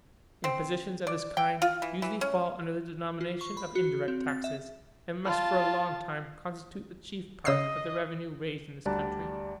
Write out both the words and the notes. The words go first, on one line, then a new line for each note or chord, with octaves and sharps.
Impositions of this kind usually fall under the denomination of indirect taxes, and must for a long time constitute the chief part of the revenue raised in this country.
C4
D5
G5
F4
E3
E3
C#4
F4
C#6
B5
F#4
C4
A6
E5
F4 A5
C#3 D#5 E6 C7
D2 G3 D5 A5 A#5 F#6